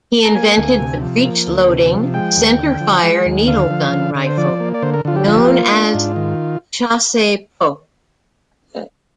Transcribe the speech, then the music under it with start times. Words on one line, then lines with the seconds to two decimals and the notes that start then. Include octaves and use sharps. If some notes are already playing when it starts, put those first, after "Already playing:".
He invented the breech-loading, center-fire needle gun rifle known as the Chassepot.
0.25 A#5
0.35 A#3 G#5
0.57 D2
0.80 C3
1.02 F3
1.25 A#3
1.47 D2
1.70 C3
1.92 F3
2.14 G#3 G5
2.36 D#2
2.58 D3
2.81 F3
3.03 G#3
3.25 D#2
3.48 D3 F5
3.71 F3
3.93 D3
4.15 D3
4.27 C5
4.37 F3 D5
4.60 A#3
4.74 D5
4.82 D3 C5
4.94 A#4
5.05 D3 F4
5.16 G4
5.27 F3 F4
5.37 G4
5.47 A#3 F4
5.72 D4
5.94 G#2
6.16 D#3